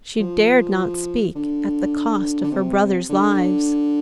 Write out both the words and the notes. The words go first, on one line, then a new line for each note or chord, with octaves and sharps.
She dared not speak, at the cost of her brothers' lives.
F3
D3
D3
C3
D3